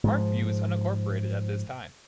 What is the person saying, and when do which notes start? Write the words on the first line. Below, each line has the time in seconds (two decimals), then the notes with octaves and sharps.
Park View is unincorporated at this time.
0.04 G#2 F3